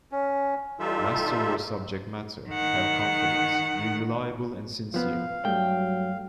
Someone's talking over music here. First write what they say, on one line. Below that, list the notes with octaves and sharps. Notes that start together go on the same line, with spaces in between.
Master your subject matter, have confidence, be reliable and sincere.
C#4
E3 G3 D#4 F4 A4 E5
D#3 F#5
F3 B3 F5
G2 F#3 A3 G5